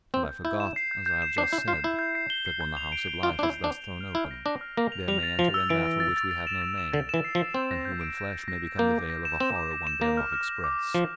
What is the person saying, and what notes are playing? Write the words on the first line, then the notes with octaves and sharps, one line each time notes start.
And I forgot, as I have just said, that when the house of life is thus thrown open, there may enter in that for which we have no name, and human flesh may become the veil of a horror one dare not express.
C4 G6
G6
E4 G6
E7
C7
G6
G6
E7
D4 C7
E4 G6
F4 C7
E4 G6
G6
C7
G7
C7
G6
F7
D7
G6
F4 D7
D4 E4 D7
G6
D4
G6
F7
F6
E4 F6
A#6
D4 A#6
F6
A#3 A#6
F7
G3 F7
A6
F3 F7
E6
E3 D7
A6
A6
A6
A6
E7
A6
E7
D3 A6
E3 E7
C7
F3
C7
C4 G6
A#6
G6
D7
G6
G6
A#6
A#6
A#3 G6
D6
A#6
E7
C4 E7
D6
A#6
E7
A#3 A#6
F6
F6
F6
D6
A#6
F3 D6